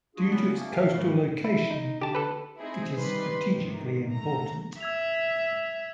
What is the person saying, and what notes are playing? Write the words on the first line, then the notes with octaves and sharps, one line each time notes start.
Due to its coastal location, it is strategically important.
D4 F4 F#4 G#4
C#3 F#3 G3 B3 C#4 E4
A3 A#3 C#4
G4 A#4 E5 F5
G#2 D#3 E3 G3 A3 A#3
E4
D#4
D3 G4 A5
A4 B4
C4 D#4 E4 G#4
C3 D#3 G3 B4 C6
G#2 C3 D#3
A3 A#5
E5 E6 G#6 F7